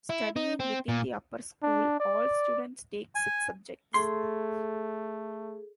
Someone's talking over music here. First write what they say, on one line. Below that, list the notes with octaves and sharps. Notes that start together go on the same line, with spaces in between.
Studying within the Upper School, all students take six subjects.
E4
D#4
C4
A#2
D4
D5
G#5
A3 G#4 A4 C6